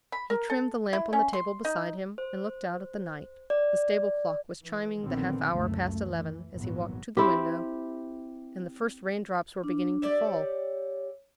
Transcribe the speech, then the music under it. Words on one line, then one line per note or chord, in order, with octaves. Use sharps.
He trimmed the lamp on the table beside him and looked out at the night. The stable clock was chiming the half-hour past eleven as he walked to the window, and the first rain-drops were beginning to fall.
B5
A#4
A4
E4
C#4
C6
D#4
C5
D5
E3
A#1 D3 D#3 B3 C4
F#1 C#2 F#2 A3
E3
G#1 E2 A#2 F#3 B3
C4 E4 G4
D4
G4 D5 E5
C#5